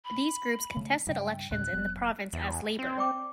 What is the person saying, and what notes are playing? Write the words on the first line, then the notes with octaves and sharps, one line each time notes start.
These groups contested elections in the province as "Labour".
B5
C#3 A3
G2 C#3 G5
D2 A2 C#3 F#6
F1 F#3 B3
E2
C4
D5 G5 D6